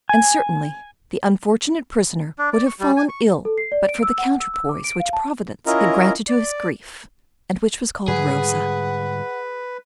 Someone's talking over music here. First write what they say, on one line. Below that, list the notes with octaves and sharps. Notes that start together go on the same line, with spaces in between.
And certainly the unfortunate prisoner would have fallen ill but for the counterpoise which Providence had granted to his grief, and which was called Rosa.
G#5
D4
D5
C#6
G3
G#5
C#6
A4
C7
D5
D7
E6
F#5
E6
E6
D6
D7
F5
A5
C#4 E4 F4 A#4 D#5 A#5
D5
G#2 D3 G3 G#4 B4 F#5